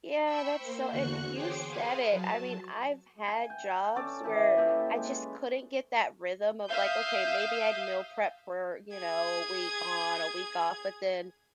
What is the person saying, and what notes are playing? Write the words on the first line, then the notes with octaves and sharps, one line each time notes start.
Yeah, that's so and you said it, I mean, I've had jobs where I just couldn't get that rhythm of, like, okay, maybe I'd meal prep for, you know, a week on, a week off, but then,
G5 B5 C#6 E6
A#3 C5
E2 D3 F#4 C#6 F#6 C#7
G#4 C5 C#5 G5 C6 D6
G#4 B4 C5 F5 F#5 G#5
F#3 A5
G#5
G5
C#4 A4 D5
E3 E4 G4 A4
A#2 G4 A4 B4
G#3
E5 F5 D#6 G6
G#4 G#6